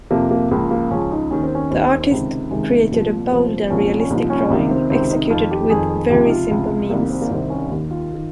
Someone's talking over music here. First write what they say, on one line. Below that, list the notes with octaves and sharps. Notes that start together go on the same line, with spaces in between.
The artist created a bold and realistic drawing, executed with very simple means.
F2 C3 F3 A#3
A#3
C#2 C#3 F3 A#3
A#3
C#2 C#3 F3 C#4
D#4
D#2 D#3 C#4
C4
C#4
D#2 D#3 C4
C#2 C3 D#3
C#2 C3 D#3 G#3
A#3
C2 A#2 F3
C2 A#2 F3 C4
C2 A#2 F3 C#4
C#4
C2 A#2 F3 D#4
C#4
C#2 C3 D#3 A#3
C4
C#2 C3 D#3 C4
D#4
F2 D#3 F4
G4
F2 D#3 G#4
G#4
C#2 C3 F3 G4
D#4
F4
C#2 C3 F3
C2 C3 D#3 A#3
C4
A#3
C2 C3 D#3 C4
C#4
D#2 D#3
F4
D#3